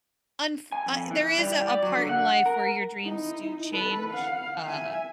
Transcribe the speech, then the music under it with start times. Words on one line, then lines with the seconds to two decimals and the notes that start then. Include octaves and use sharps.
unf Uh, there is a a part in life where your dreams do change. Uh,
0.72 G#5
0.86 F2
1.11 E3
1.38 G3
1.68 D5
1.83 F#3
1.95 D3
2.09 F#5
2.46 A#4
3.03 D#4 E4
3.72 A4 B4
4.11 F5 F#5
4.65 E5 G#5